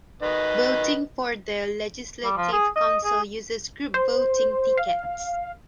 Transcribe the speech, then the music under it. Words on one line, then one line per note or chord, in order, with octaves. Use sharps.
Voting for the legislative council uses group voting tickets.
D#3 B4 D#5
G3
F3
G#4
D#5
G#4
C5
F5